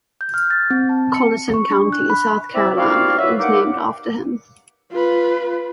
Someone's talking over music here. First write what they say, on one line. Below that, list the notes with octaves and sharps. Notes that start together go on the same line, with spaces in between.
Colleton County, South Carolina, is named after him.
G6
F6
A6
C4
A5
C#7
C#6
D4
F#6
B5
C4 E4 D5 E5
A#3 C4 E4 F#4 D5 F5
F#3 B4 E5
G2 A#3 D#4 F#5 D6
F4 B4